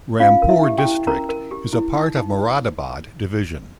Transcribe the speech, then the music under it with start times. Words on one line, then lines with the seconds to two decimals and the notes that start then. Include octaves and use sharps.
Rampur district is a part of Moradabad division.
0.20 C#4 F4 F5
0.42 A#4
0.49 E4 E5
0.64 G4
0.78 G4 G5
0.85 E4
1.07 C#4 A#4 A#5
1.29 A#4
1.51 G4
1.73 E4
1.95 D#4
2.17 D#4